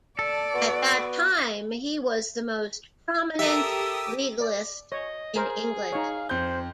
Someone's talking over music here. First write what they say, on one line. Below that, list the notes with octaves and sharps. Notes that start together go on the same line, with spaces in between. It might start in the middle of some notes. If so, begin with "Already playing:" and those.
At that time, he was the most prominent legalist in England.
A4 D5 A5
B3 F#4 B4
G4 A4 A#4 E5 D#6 E6
D5
C#5 D#5
G#4 A#4 C5
D#4 C#5 F5
F2 C5 G6